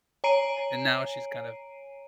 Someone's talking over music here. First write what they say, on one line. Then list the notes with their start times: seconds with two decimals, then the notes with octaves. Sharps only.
and now she's kind of
0.24 C#5 G#5 A#5 C7 D7 D#7